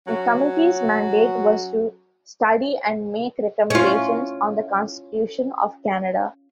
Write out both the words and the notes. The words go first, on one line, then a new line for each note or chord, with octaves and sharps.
The Committee's mandate was to study and make recommendations on the Constitution of Canada.
F#3 C#4 F#4
C#4 F4